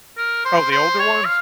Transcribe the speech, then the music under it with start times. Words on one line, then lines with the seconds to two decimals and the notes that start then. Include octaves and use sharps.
Oh, the older ones?
0.17 A#4
0.45 C5
0.72 C5
0.99 C#5
1.25 F5